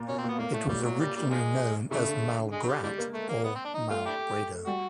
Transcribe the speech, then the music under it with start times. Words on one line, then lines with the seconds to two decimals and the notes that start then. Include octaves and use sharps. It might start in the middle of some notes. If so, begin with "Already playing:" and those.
It was originally known as "Malgrat" or "Malgrado".
Already playing: A#2
0.09 B2 C#4
0.18 C4
0.24 A#2
0.29 B3
0.38 A2 A#3
0.54 A2 A3
0.69 A2 G3
0.85 A#2 F#3
1.00 G3
1.16 G3
1.31 D#3 F3 G#3
1.91 C#3 E3 F#3 A3
2.07 D3
2.53 G#3
2.63 F#3
2.68 G3
2.83 D3 E3 G3 G#3
2.98 A#3
3.14 A3
3.29 A#3
3.44 B3
3.55 C4
3.65 D4
3.75 D#4
3.90 A3 F4
4.06 D4 E4 G4
4.67 G3 F#4